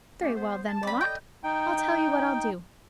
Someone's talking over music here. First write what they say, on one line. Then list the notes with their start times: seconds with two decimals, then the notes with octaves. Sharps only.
Very well, then, Wilmot, I'll tell you what I'll do.
0.20 A3 C#4 G4
0.34 B3 C5
0.68 A5
0.83 F#3 G3 C4 D5 B5
1.01 A4 D5 D#5 G5
1.44 D#4 G5